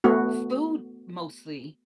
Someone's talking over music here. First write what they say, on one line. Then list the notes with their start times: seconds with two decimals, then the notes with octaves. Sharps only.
food mostly.
0.04 A3 B3 F#4